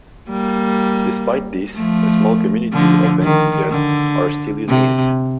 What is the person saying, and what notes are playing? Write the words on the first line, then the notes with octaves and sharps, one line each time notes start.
Despite this, a small community of enthusiasts are still using it.
G3 A#3
F3 A3
D3 F3
D#3
D3
C3